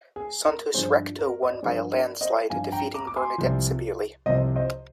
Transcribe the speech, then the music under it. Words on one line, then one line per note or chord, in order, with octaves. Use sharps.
Santos-Recto won by a landslide, defeating Bernadette Sabili.
G#4
A#4
G2 F3 G#4 C5
A#4
D#5
D5
G2 F3 G#4 C5
A#4 D5
C5 D#5
G2 F3 F5 G#5
G5 A#5
A#5 D6
D6
G#5 C6
C2 C3 F3
C2 C3 F3 C5 D#5
C5 D#5